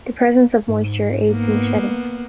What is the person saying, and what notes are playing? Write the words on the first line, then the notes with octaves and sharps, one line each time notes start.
The presence of moisture aids in the shedding.
G#2
A#3 B3